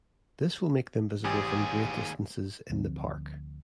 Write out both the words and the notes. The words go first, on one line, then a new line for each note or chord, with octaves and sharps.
This will make them visible from great distances in the park.
A1 D#2 G4 G#4 G#5
D2 F3 C4